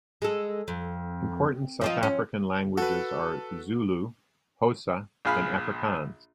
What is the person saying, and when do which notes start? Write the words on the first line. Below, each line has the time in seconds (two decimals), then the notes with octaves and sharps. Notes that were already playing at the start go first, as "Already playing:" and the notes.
Important South African languages are Zulu, Xhosa and Afrikaans.
0.22 G#3 A4
0.68 F2
1.81 F3 C4 D#4
2.03 C#4
2.78 F#4 A4 B4
5.25 A#1 G#4 F5 B5